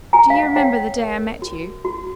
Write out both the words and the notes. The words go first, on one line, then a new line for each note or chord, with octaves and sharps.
Do you remember the day I met you?
F#4 G#5 A#5
F5
F#5
C#5 F5 G5
A#4
F#4
F#4